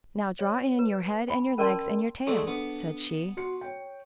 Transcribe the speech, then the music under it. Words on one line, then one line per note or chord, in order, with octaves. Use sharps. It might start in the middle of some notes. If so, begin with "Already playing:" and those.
'Now draw in your head and your legs and your tail,' said she.
C#5
B4
G#5 B5
C#4 A#4 D5 A5 C6
G#3 A3 C4 G#4 D5 C#6
B3 D4 A4
F#4 C6 C#7
C#5 G5